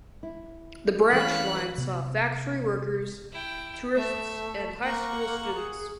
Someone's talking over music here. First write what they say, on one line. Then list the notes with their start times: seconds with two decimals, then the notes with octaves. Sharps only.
The branch line saw factory workers, tourists, and high school students.
0.23 E4
1.12 E3 A3 C#4 B4 C#5 F5 B5 F#6
1.78 C3 B3
3.33 E4 G5
3.95 A3 E5
4.83 A#3 F#5 C#6
5.54 G#4